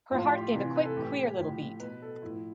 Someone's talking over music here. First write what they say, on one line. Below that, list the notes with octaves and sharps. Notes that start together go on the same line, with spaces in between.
Her heart gave a quick, queer little beat.
A2 F3 F4
G4
F4
C3 E3
B4
A4
A2 E3 G4
A2 F3
B2 B4
A4
A2 F3 E4